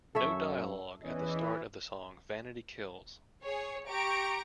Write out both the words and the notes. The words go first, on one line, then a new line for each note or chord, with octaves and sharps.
No dialogue at the start of the song "Vanity Kills".
F#2 A4 C#5 E5
E2 E3 C#4 D#5
G#4 C#5
G4 A#5 C#6 D7